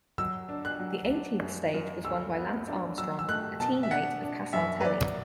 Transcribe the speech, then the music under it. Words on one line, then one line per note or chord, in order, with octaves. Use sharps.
The eighteenth stage was won by Lance Armstrong, a team mate of Casartelli.
F#3 E6
D4
F#6
F#3
D4
F#2
F#2
D2 E6
B3
D4
F#3 E6
E6
A3 F#6
B2 A5
E5
D4 F#5
D4
F#2 E5
B4
F#3 D5